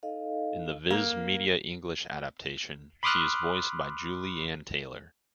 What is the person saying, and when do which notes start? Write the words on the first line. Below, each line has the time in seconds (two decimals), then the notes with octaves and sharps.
In the Viz Media English adaptation, she is voiced by Julie Ann Taylor.
0.03 D#4 A4 D#5 F5
0.90 A#3
3.03 B5 C6 D6 D#6 F6 F#6